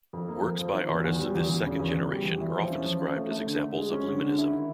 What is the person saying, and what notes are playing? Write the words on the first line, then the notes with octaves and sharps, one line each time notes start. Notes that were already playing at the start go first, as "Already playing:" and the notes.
Works by artists of this second generation are often described as examples of Luminism.
F2
A#3
F2
F3
D#3
E2
E2
G3
E2
E2
C#3
E2
E2
G3
E2
E3
F3
C#4
F3
C#4
A3
A3
D3
D3
G#3
C#4
D3
D3
E4
D#3